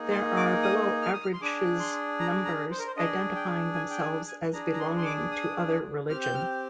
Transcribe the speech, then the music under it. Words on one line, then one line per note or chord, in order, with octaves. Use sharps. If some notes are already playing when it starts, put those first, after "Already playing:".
There are below averages numbers identifying themselves as belonging to other religion.
Already playing: A#3 D#4 G#4
C6
D6
D#6
F6
D#6
F6
C6
D4 G#4 D6
C6
A#5
A#5
C5
A#4
C5
D4 G#4 D#5
G5
G#5
G5
G#5
G#5
D4 G#4 A#5
A#5
C6
C6
D6
D#6
C4 G4 F6
G6
F6